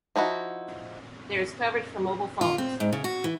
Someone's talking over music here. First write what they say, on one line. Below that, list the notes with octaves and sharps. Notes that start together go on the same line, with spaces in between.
There is coverage for mobile phones.
F3 D#4 E4 F#4
F4
C4
G#2
C#3
F#4
E3